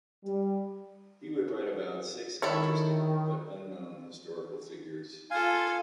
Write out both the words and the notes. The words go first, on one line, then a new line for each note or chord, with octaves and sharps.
He would write about six interesting but unknown historical figures.
G3
D#3 E4 A4 C#5
F4 A4 F5 G#5